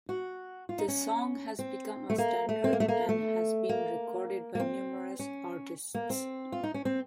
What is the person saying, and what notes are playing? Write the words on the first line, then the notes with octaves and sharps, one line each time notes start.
The song has become a standard and has been recorded by numerous artists.
F#4
F4
D#4
C#4
C4
A3
A#3
A3
C4
A#3
A3
A#3
A3
A#3
A#3
C4
C#4
A#3
C4
F4
D#4
C#4
C4